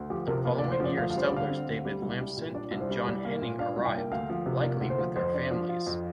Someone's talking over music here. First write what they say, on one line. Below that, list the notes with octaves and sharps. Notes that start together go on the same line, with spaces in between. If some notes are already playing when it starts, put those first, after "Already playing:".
The following year settlers David Lampson and John Henning arrived, likely with their families.
Already playing: D2
F3 G4
C3 A#4
A#3 F5
D5
D2
C5
F3 D5
D2 F5
F5
G3 C5
D5
D3 F5
C4
D2
G3
C2
G3
A#2
D4 D5
C2
C5
G3
C2 D5
A#3
A#2
D4 F5
C2
G5
A#3
D2 F5
F3
C3
A#3 D5
D2
C5
F3
F2 C5
D4
F3
F4
F2